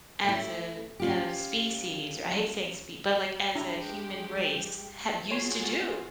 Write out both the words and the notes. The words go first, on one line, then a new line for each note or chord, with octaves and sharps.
as a as species or I hate saying spe but, like, as a human race have used to do,
A3 E4
C#4 F4 G4
G#3 D4 E4 G4 A#5
F4 F#4 G#4 C#5 G#5 C6